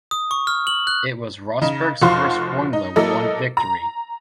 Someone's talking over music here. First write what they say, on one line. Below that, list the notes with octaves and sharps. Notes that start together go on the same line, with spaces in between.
It was Rosberg's first Formula One victory.
D#6
C#6
F6
F#7
F#6
C#3 D#4
F1 F3 F#4 F5 C6 C#6
D#4
F#3 A#3 E4 A4 D#5
A#5